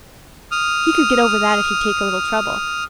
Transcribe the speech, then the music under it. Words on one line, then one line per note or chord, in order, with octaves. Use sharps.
He could get over that if he'd take a little trouble.
D#6 F6